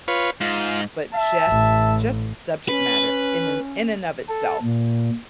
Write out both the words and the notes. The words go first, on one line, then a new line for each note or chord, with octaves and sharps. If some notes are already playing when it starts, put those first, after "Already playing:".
But just just the subject matter in and in and of itself
F4 B4 C#5
G#2 F4
E5 A5
A1
C#4 B4
A4
A#2